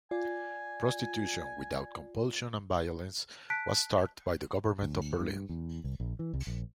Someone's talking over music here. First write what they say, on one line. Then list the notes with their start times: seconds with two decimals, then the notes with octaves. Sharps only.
Prostitution without compulsion and violence was started by the government of Berlin.
0.11 F4 D5 G#5
3.50 A5 F#6 B6 D7
4.82 D2
5.20 G2
5.49 E2
5.84 C2
6.00 A#1
6.19 E3
6.33 C2
6.47 A#1